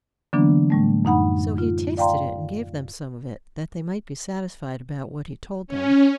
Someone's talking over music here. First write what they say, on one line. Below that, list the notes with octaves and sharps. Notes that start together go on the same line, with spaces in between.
So he tasted it, and gave them some of it, that they might be satisfied about what he told them.
D3 E3 F#3 A#3 B3 D4
A2 G3 A3
F#2 D#4 F#5 B5
F4
D5 F5 G5 A#5 C6
C#4